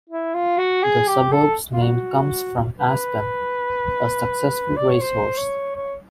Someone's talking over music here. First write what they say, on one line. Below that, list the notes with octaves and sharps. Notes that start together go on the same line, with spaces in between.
The suburb's name comes from "Aspen", a successful racehorse.
E4
F4
F#4
G#4
G4
A4
F4
F#4
B4
D5
C#5
C5
C#5
C#5